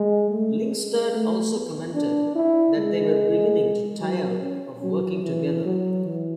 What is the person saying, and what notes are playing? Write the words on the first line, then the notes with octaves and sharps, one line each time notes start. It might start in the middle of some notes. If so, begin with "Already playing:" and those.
Lyngstad also commented that they were beginning to tire of working together.
Already playing: G#3
A3
G#3
A3
B3
D4
E4
G#3
F#3
C#4
F#3
E3
F#3
E3